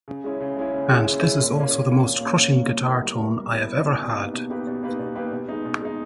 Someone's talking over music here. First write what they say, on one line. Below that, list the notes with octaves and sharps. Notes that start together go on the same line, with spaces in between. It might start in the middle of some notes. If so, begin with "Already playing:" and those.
And this is also the most crushing guitar tone I have ever had.
C#3
G#3 C#4 E4
C#3
G#3 C#4 E4
C#3
G#3 C#4 E4
C#3
G#3 C#4 E4
A#2
C#4
A#3
A#2
A#3 C#4
A#2
A#3 C#4
A#2
A#3 C#4
G3
B3 E4 A#4
G3
B3 E4 A#4
G3
B3 E4 A#4
G3
B3 E4 A#4
B2
A#3 D#4 G4 B4
B2
A#3 D#4 G4 B4
B2
A#3 D#4 G4 B4
B2
A#3 D#4 G4 B4
B2
G#3 D#4
B2
G#3 D#4